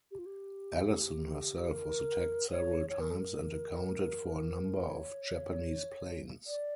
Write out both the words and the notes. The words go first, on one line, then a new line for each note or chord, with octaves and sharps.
"Ellyson" herself was attacked several times and accounted for a number of Japanese planes.
G4
F4
G4
A#4
C#5
C#5
A#4
A4
A#4
C#5
D5